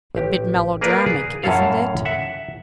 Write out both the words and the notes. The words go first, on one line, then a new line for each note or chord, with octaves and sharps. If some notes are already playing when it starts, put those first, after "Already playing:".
A bit melodramatic, isn't it?
A1 G4
A#3 G#4 A#4 B4 D5 F5
G#4
F#2 A2 C#4 A4 F5
E5 F#5